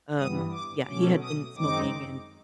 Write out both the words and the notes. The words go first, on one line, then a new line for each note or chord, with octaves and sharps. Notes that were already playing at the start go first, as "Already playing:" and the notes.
um, yeah, he had been smoking, and,
G2 E3 G3 B3 D#6
D6
B2 F#3 A3 C#4 D6
D#6
F#2 D#3 G#3 C4 D#4 D6